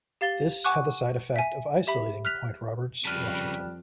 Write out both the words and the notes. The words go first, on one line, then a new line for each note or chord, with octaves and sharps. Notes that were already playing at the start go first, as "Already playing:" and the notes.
This had the side effect of isolating Point Roberts, Washington.
G4 F5 A6 G7
F#5 G#5 C#6 D6 F#6
E5 G#5
G4 E5 B5
F6 F#6 B6 F7
F2 C#3 G3 B4 A5 F6 F#6